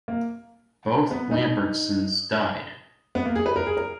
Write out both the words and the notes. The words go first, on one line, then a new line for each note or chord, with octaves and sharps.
Both Lambertsons died.
A#3
B3
D#4
B3
A#3
G#4
B4
A#4
G#4
A#4